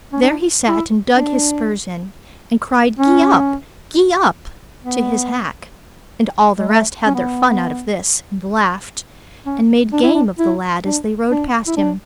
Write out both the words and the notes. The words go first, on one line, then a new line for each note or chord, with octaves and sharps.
There he sat and dug his spurs in, and cried, "Gee up! gee up!" to his hack. And all the rest had their fun out of this, and laughed, and made game of the lad as they rode past him.
C#4
D4
E4
D4
C#4
B3
G#3
A3
C#4
B3
C#4
D4
E4
D4
E4
D4
D4
E4
D4